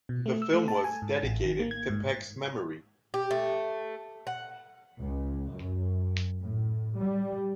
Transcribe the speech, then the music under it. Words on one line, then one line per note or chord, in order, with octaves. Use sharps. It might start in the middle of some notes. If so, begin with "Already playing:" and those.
The film was dedicated to Peck's memory.
B2
A3
E6
A3
A5
G#5
G#2
A1
D#3
A#3
G#6
G#2
G4
A3
F#5
C#2
F#2
A2
G3